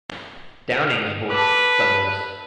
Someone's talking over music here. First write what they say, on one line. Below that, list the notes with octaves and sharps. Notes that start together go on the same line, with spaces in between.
Downing's voice was thunderous.
A4 B4 D6